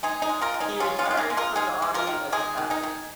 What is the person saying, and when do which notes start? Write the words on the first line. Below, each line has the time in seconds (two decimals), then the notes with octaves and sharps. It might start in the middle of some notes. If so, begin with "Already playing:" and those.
He retired from the army as a Captain.
0.03 G#3 D#4 G#4
0.22 D#4 G#4
0.29 G#3
0.41 F4 A#4
0.54 D#3
0.60 D#4 G#4
0.80 G#3 C#4 F4
0.99 C#4 F4
1.05 D#3
1.11 F4
1.17 D#4 G#4
1.30 G#3
1.37 F4 A#4
1.56 G#3 D#4 G#4
1.82 G#3
1.94 F4 A#4
2.07 D#3
2.32 G#3 D#4 G#4
2.58 D#3
2.70 D#4 G#4
2.83 D#3